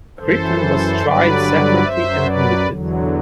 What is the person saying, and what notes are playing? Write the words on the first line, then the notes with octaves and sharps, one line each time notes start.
Crippen was tried separately and convicted.
F#2 E3 A4 C5
G2 D3 F#3 B4 D5
F#2 F#3 C5 E5
B4 D5
E2 D3 F#3